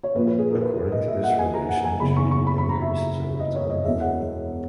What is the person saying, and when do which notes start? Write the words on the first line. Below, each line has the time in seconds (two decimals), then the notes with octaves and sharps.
According to this relation, "G" increases over time.
0.03 C#5
0.15 A#1 B4
0.18 A#2
0.27 B4
0.38 G#4
0.50 A#4
0.61 B4
0.77 B4
0.92 D#5
1.08 E5
1.23 F#5
1.39 G#5
1.54 A#5
1.69 F#5
1.85 G#5
2.00 F#1 E2 C#3 B5
2.16 C#6
2.31 C#6
2.47 B5
2.58 B5
2.69 A#5
2.82 E5
3.40 D#5
3.55 C#5
3.70 D#5
3.85 E1 E2 B2 E5
4.00 F#5